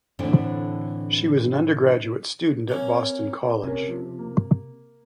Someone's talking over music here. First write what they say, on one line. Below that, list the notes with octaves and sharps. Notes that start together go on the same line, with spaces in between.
She was an undergraduate student at Boston College.
A2 D3 E3 C4 D4
A#3 C4 C#4
C3 C#4 A#4 C#5
F3
A#3